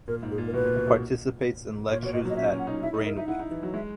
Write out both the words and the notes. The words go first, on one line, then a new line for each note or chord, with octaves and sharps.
Participates in lectures at "Brain Week".
A#2 A#4
G#2
G#4
A#2
A#4
B2 B4
A#2
B2
B2
A#2 C#5
B2 C#5
A#2 D#5
F#3 D#5
C#4 E5
C#4
F#5
D#4
E4 E5
D#4
A#4
D#4 E5
E4 F#5
D#4
E3
F#3
G#3 E5